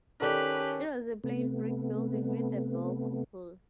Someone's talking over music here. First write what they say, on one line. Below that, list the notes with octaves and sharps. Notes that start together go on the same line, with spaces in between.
It was a plain brick building with a bell cupola.
D#3 C#4 G4 A4 B4 D5
C3 A3 B3